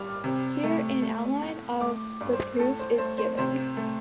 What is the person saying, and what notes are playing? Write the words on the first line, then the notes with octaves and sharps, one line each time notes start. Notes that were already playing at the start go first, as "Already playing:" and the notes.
Here an outline of the proof is given.
Already playing: G2 G3 D6 F6
C3
A3
A3
A2
A3 D6
G2
C5
A2 A4
C5
A3 C5
C5
C3 C5
A3